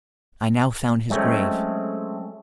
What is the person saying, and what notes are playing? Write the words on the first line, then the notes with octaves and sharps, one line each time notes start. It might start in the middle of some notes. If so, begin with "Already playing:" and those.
I now found his grave.
F#3 G#3 A3 C4 C#4